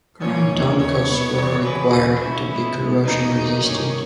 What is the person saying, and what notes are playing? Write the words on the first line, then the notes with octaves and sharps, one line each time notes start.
Ground anchors were required to be corrosion resistant.
A#2 G3 A#3 C#4 C#5
E2 D#3 A#3
D#2 C#3 E3 C#5
B2 G3 B3
E2 C#3 E3 G3
C#3 E3 G#3 B4
D#2 C#3 E3
B2 G3 A#3 C#4 E4
A#2 G#3 B3 E4
B2 G#3 B3
E2 B2 A#3 C#4 D#4
E2 D#3 A#3
G2 D#3 A#3 C#4 C#5